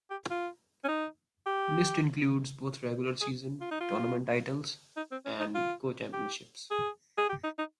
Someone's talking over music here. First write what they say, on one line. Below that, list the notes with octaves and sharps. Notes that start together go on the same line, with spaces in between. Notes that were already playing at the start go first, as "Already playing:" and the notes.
List includes both regular-season, tournament titles, and co-championships.
G4
F4
C#4
D#4
G4
G#4
F4
D#4
F4
D#4
C4
C#4
D#4
F4
G4
G#4
G#4
G4
D#4
D#4